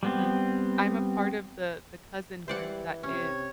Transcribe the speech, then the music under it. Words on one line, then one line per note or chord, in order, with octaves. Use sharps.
Mhm. I'm a part of the the cousin group that is
G3 B3 C4
E3 G3 C5 D5 F#5
C3 C#4 C#5